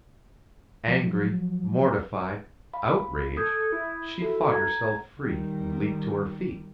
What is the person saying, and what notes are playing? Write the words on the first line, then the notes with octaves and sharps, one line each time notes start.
Angry, mortified, outraged, she fought herself free and leaped to her feet.
F3 F#3
F5 B5
A4 D#6 G6 G#6
E4
F#4 A4
A#5 G#6
D#3 G3